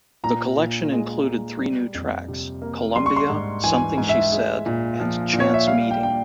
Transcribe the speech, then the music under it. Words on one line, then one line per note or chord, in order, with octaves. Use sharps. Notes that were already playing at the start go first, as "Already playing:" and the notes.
The collection included three new tracks, "Columbia", "Something She Said", and "Chance Meeting".
A#2 A#5
A#2
G#3
G#3
G3
F2
C3
A#3
G3 C6
C#6
C6
G#2
E3 G#5
G#2
E5
G#3
A#2
F3
A#2
C#5
E5
G3 F5
G5
G5